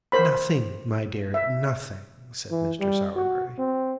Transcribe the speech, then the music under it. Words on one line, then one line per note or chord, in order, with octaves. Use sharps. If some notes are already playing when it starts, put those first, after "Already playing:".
'Nothing, my dear, nothing,' said Mr. Sowerberry.
A#4 C5 B5
E5
E3
G3
F#4
C4